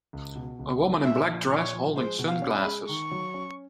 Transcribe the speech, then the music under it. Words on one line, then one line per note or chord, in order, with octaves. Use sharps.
A woman in a black dress holding sunglasses.
C#2
B2
C#2
G3
A#2 E5
F3
A#2 C#5
F3
G#3 C5
B2
F5
C#4
B5
G#3
D#3 C#6
F#3
C#4